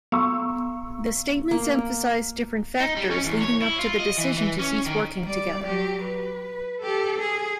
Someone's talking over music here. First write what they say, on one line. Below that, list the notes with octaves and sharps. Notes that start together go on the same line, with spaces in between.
The statements emphasise different factors leading up to the decision to cease working together.
B3 C6 C#6 E6
A#3
D#4
G3
C#4
E2
C#5
E4
F4
D#5
E3
E3
C#4
D#3
G3 D5
F#3 G4
B4
G4 A4
G#4